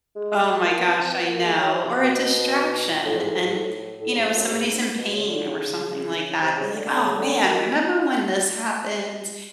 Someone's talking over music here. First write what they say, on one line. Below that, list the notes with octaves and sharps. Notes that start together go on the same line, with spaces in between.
Oh my gosh, I know. Or a distraction. And, you know, somebody's in pain or something like that, be like, "Oh, man. Remember when this happens?"
G#3
G#3
A#3
B3
B3
C4
B3
A#3
G#3
F#3
F3
C3
B2
A2
G#2
A2
G#2
A2
A2
G#2
F2
F#2
G#2
B2
C#3
D3
C#3
C3
C#3
D3
D3
C#3
D3
D#3
D#3